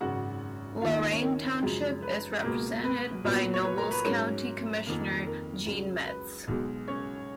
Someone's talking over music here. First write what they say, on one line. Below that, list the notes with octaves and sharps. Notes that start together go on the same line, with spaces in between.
Lorain Township is represented by Nobles County Commissioner Gene Metz.
G#1 F#2 C#3 F#4 F#5
D#2 D#3 A#3 D#4 F4 F5
D#4 D#5
D#4 D#5
C#4 C#5
A#4
F#2 C#3 F3 G#3
B4
C#2 B2 A#3
B4
B1 A#2 F#3 B3
C#5
B4
A#4 A#5
B4
G#2 F#3 C#4 A#4
F2 D#3 A#3
A#4
C#2 C#3 F#3
B4
B1 B2 G#3
C#4 C#5